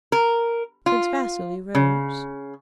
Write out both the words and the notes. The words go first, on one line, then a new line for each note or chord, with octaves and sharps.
Prince Vasili rose.
A#4
F4
C#3